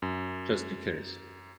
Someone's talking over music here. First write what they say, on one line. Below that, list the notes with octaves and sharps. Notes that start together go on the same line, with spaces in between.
just in case.
F#2